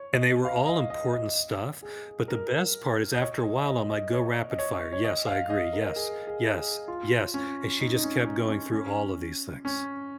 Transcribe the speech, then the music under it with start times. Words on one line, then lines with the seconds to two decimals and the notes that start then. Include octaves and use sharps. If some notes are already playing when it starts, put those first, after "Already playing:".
And they were all important stuff, but the best part is after a while, I'm like, "Go rapid fire. Yes, I agree. Yes, yes, yes." And she just kept going through all of these things.
Already playing: C#5
0.13 D#5
0.45 F5
0.67 D#5
0.90 D#5
1.14 D#5
1.82 G#4
2.28 A#4
3.14 D#5
3.20 C#5
3.43 D#5
3.66 D#5
3.89 D#5
4.12 C#5
4.51 D#5
4.58 C#5
4.93 C#5
5.04 D#5
5.27 F5
5.50 D#5
5.73 A#4
5.96 G#4
6.27 G#4
6.57 G#4
6.88 F4
7.34 C#4
7.80 D#4
7.95 D#4
8.04 C#4
8.16 C#4
8.26 D#4
8.49 C#4
8.72 C#4
9.65 C#4